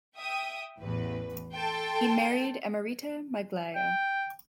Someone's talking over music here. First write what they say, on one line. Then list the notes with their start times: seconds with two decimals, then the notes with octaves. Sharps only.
He married Emerita Maglaya.
0.17 E5 G5 D#6
0.79 A1 E2 B4
1.54 A4 G5 A5 C6
3.76 G5